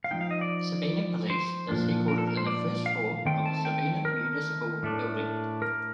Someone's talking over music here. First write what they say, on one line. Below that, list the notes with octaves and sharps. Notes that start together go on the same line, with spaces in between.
Sabina Police is headquartered in the first floor of the Sabina Municipal Building.
F5
F3 A#3 D#4 G5
F5
D#5
D5
C5
A#2 F3 A#3 D4
A#4
A4
A#4
C5
D5
F5
D#3 A3 C4 G5
A5
G5
A#4
A2 A3 D4
A#4